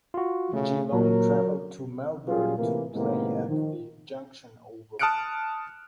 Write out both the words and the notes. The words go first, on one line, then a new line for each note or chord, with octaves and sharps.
Geelong travelled to Melbourne to play at the Junction Oval.
F4 F#4
C#3 A3
A#2 F#3 A#4
F#3 G3 C#4 F4 G4 G#4
C3 E3 A3 A#3
A2 C3 D#3 G#3 A#3 B3
D#3 F3
A5 D#6 F6 F#6 C#7 D7